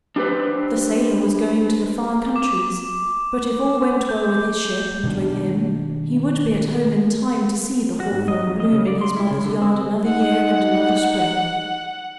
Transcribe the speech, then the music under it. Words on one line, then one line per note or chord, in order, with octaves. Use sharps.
The sailor was going to the far countries, but if all went well with his ship, and with him, he would be at home in time to see the hawthorn bloom in his mother's yard another year and another spring.
D4 G4 G#4 B4 C5
D6
G6
B2 D#3 B3 D4
F#4
G#2
D#5
F2
D#5
C#3
D5
C6
E4
C#3
D3
C4
D#4 F#5